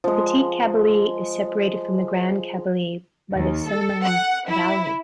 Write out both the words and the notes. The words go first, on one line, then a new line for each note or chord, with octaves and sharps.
The Petite Kabylie is separated from the Grande Kabylie by the Soummam Valley.
F3 G#3
D#2
A4
F#5
E4